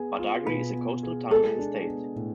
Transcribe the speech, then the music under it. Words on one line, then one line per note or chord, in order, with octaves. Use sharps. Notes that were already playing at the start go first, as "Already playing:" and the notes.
Badagry is a coastal town in the state.
Already playing: B3 G#4
F4
B2 B4
B3
G#4
G#3 A4
D4
B3
A2